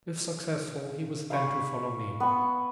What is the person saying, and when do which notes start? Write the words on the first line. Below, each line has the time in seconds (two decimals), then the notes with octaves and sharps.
If successful he was then to follow me.
1.30 F5 B5 C#6
2.20 B3 C#6